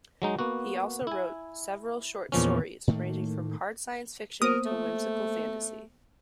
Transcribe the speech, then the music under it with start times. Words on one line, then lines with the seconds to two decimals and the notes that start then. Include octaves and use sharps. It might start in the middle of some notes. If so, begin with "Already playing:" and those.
He also wrote several short stories, ranging from hard science fiction to whimsical fantasy.
0.22 F#3 G#3 D#4
0.39 A#3 B3 F#4
1.07 E4 G#5
2.32 E2 A#2 F3 C#4
2.87 A2 D#3 A3 A#3
4.42 A#3 B3 A#4 C5 D#6
4.66 A3